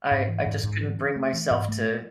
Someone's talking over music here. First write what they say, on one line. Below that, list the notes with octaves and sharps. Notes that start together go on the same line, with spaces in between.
I I just couldn't bring myself to
G#2
E3
G#2
G#2
E3
D4
A3
E3
G#2
A3